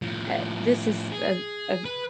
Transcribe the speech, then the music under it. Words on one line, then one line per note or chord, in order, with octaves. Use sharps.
uh, this is a a
A2 F3
G#4
B4